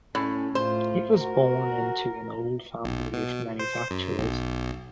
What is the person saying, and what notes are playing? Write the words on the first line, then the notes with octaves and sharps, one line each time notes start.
He was born into an old family of manufacturers.
A2 C#4
A2 F4 C5
F#4 A#4
B1
B2
C5
F#2
B1